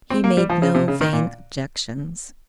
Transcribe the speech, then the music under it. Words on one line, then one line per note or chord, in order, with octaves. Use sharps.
He made no vain objections.
C4
A#3
G3
F3
C#3
C3
C#3
D#3
A#2